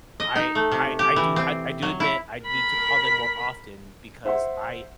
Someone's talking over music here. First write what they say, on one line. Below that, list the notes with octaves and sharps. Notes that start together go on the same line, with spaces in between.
I I I do ha I do admit I need to call them more often because I
D#5
D#4
A3
C3
G4
E3
C4
F#3
E4
A#4 B5
C5 E5 F#5 C6